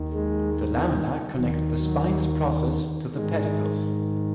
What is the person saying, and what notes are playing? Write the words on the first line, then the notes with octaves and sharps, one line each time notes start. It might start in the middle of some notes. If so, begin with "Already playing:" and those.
The lamina connects the spinous process to the pedicles.
Already playing: D#2 D#3
G#3
D#2 D#3 F#3
F#3
G#2 D#3 G#3